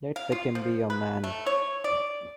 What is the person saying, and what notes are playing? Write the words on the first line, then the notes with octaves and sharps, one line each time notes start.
Let Wickham be your man.
F5
F4
F3
B4
A3
C#5
D5